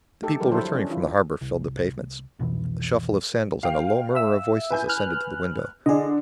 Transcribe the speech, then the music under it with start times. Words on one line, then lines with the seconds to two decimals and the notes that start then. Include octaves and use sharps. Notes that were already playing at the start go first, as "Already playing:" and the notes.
The people returning from the harbour filled the pavements; the shuffle of sandals and a low murmur of voices ascended to the window.
0.23 A3 D#4 G4 A4
0.40 D3 F3 G3 G4 A#4
0.52 F3 F#3 E4 A4 C5
0.73 C#4 D4
0.90 E3 E4 F4
1.41 C2
2.39 C2 F2 B2 E3
3.63 F5 G5
4.15 E5 E6
4.71 B4 G#5 G6
4.89 F6 F#6
5.86 D3 D4 G#4 D#5